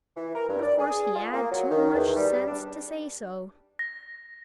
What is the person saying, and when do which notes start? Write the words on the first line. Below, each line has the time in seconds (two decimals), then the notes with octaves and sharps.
But of course he had too much sense to say so.
0.17 E3
0.35 A#4
0.49 G2
0.63 D5
0.79 G#4
1.16 F4
1.33 A#3
1.52 F#3
1.70 D#3
1.94 E2
2.16 G3
2.47 D4
3.79 A#6